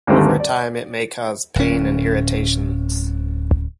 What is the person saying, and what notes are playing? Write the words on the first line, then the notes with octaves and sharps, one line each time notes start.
Over time it may cause pain and irritations.
D#2 G#2 D3 G3 A3 C4
D5
D1 C#4